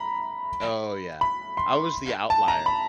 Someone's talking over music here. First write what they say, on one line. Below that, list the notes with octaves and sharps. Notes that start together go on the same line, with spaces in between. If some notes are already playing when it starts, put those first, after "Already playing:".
Oh, yeah, I was the outlier.
Already playing: A#5 B5
B5
C6
A5
A#5
B5